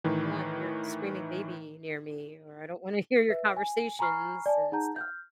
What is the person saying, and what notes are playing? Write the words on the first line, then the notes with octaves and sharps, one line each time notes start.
want your screaming baby near me," or, "I don't wanna hear your conversations and stuff."
A2 D#3 E3
B4 E5
G#5
G#5 A#5 B5 C#6 F6 C7
D5 G#5 A5
D#4 G#4 F#5 A5 A#5 G6
F6 G6